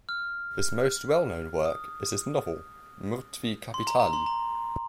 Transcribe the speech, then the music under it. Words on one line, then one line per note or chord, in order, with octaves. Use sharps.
His most well-known work is his novel, "Mrtvi kapitali".
F6
D#6
C6
A#5
A#5
C6
A#5